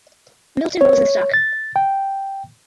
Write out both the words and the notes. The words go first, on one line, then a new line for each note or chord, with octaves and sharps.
Milton Rosenstock.
C#5
A6
G5